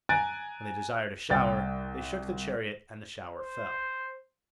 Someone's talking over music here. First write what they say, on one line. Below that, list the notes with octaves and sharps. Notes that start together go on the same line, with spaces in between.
When they desired a shower they shook the chariot and the shower fell.
G#5 A#5 F#6 A6 D7
C2 G5 A6
C5